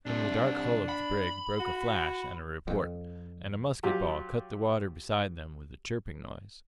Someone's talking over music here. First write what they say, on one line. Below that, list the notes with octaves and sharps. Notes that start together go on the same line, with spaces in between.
From the dark hull of the brig broke a flash and a report, and a musket ball cut the water beside them with a chirping noise.
C2 C3 D4
B5
F#4
F2
F#3 F4 G4